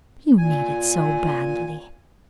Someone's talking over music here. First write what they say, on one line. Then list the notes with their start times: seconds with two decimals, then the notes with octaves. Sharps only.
You need it so badly....
0.38 A#2 G#5